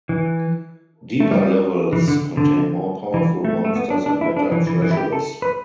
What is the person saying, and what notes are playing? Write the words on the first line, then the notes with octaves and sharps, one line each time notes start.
Deeper levels contain more powerful monsters and better treasures.
E3
A3
G3
E3
D3
D3
E3
A3
A3
B3
D4
D4
E4
D4
E3
E3
E3
E4
G4
A4
B4